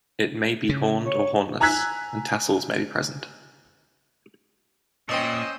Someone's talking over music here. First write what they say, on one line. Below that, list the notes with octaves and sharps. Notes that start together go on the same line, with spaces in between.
It may be horned or hornless, and tassels may be present.
C#3
C#5
G#5 A#5 E6 F#6 G#6 B6
A#2 C#4 C5 D#5 G5 D#6 E6